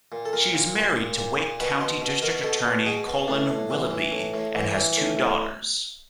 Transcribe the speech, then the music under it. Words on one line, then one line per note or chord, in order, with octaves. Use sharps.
She is married to Wake County district attorney Colon Willoughby and has two daughters.
A#2
A4
A#2 A#4
A#2
A#2
A#2
A#2
A#2
B2 B4
B2 C5
B2
B2 A#4
B2 A4
B2
B2 G#4
B2
A2 D4
A2
E3
E3
A2
A2
E3
E3
A2
A2